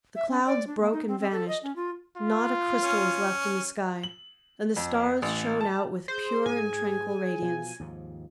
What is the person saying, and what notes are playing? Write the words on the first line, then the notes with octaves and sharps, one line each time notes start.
The clouds broke and vanished, not a crystal was left in the sky, and the stars shone out with pure and tranquil radiance.
E5
C#4
D5
D4
A#3
D#4
C4
C4
A4
D#5
C#4
F4
F4
C#4
F#7
F2
A1
A5
G#4 C5
G#2 G#5
B2 F3
D#2 G#2 F3